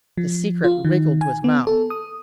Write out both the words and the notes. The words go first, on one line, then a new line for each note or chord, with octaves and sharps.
The secret wriggled to his mouth.
F3
F4
D#3
G#5
B3
A4
D#6